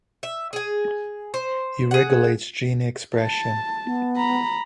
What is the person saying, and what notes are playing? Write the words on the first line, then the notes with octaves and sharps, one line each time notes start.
It regulates gene expression.
E5
G#4 G#5
C5
G#4 F#5
A5
B3
A#5 B5